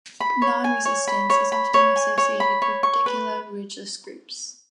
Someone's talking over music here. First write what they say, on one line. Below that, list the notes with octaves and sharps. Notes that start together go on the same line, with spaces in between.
Nonresistance is often associated with particular religious groups.
B5
C#5
G#5
C#5
B5
C#5
B5
C#5
G#5
C#5
B5
C#5
C#6
B4